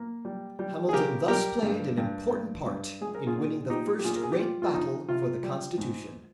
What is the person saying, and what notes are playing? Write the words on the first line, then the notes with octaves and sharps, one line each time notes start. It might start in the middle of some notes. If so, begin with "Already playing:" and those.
Hamilton thus played an important part in winning the first great battle for the Constitution.
Already playing: A#3
G3
G3
G#4
C#3 G4 A#4
G3 G4 A#4
G2
G2
G2
G2
G#3 G#4
A#4
F4 G#4
A#2
A#2 D#4 G4
G4
A#2 F4 G#4
A#4
G#4
G4
G3 F4
F4
F2 D#4
C3 F4
G3
G#2